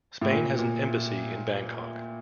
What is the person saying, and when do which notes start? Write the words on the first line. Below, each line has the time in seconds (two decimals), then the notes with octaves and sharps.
Spain has an embassy in Bangkok.
0.21 A2
0.30 A#2
0.59 A#2